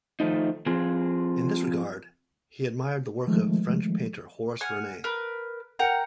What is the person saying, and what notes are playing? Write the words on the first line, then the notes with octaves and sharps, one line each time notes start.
In this regard he admired the work of French painter Horace Vernet.
D#3 F3 A3 D#4
F3 C4 F4 G#4
D#3 F3 G#3 A3
F#5 G#5 F6
A#4 B4
A#4 F#5 G5 A#5